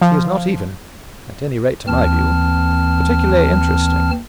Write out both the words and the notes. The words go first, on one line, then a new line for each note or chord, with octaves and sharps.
He is not even, at any rate to my view, particularly interesting.
F3
D#2 E3 C4 A5 F6